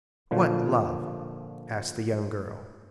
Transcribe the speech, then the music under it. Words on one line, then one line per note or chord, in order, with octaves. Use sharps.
"What love?" asked the young girl.
A#2 D3 F3